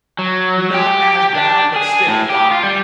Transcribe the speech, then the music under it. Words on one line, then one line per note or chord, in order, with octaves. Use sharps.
not as bad, but still, why?"
F#3
G4
D4
G#4
A2
G4
F4
G3